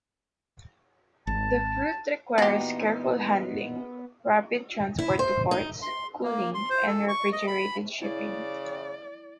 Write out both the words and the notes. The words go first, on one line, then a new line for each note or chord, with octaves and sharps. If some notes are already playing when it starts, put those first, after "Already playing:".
The fruit requires careful handling, rapid transport to ports, cooling, and refrigerated shipping.
G#1 A5
A#2 E3 B3 D#4 F#4 G4
E4
C5
D#4
C6
A#3
C6
C5
A4
C#6
D#5
B5
C#3 E4 D5